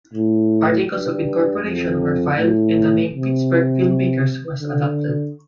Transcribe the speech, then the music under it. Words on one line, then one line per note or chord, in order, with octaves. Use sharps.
Articles of incorporation were filed and the name Pittsburgh Filmmakers was adopted.
A2
G2
F2
A2
C3
D3